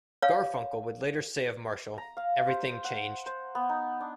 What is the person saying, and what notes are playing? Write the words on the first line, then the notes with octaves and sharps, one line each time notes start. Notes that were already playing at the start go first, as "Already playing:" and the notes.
Garfunkel would later say of Marshall, Everything changed.
C#5 F5
A#5
F5
C5
F#5
C5
B3
D#4
D4